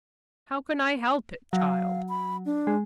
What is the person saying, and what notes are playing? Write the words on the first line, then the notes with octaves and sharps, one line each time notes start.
How can I help it, child?
F#3 F5
B5
D4
G#3